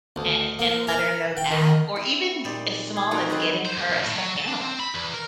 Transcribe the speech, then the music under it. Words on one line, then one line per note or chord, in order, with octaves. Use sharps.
a and let her know that, or even as small as getting her a stuffed animal,
D2
A#3
A#4
G5
D#3
C4 E4
A#2 G3 D#4 C5 D5
G#4
A#3 C4 C#4 D#4 F4 F#4
F#3 C4 G#4 A4 B4 C5
C5
F#2
B1
A2
F#3
A5
D4
C4
B5
E2
A#4